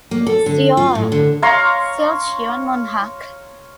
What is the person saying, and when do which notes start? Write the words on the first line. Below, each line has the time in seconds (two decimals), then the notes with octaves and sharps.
Seoul: Silcheon Munhak.
0.11 A#3
0.27 A4
0.46 D3
0.77 F4
0.95 A2
1.12 D3
1.42 C#5 F5 A#5 C6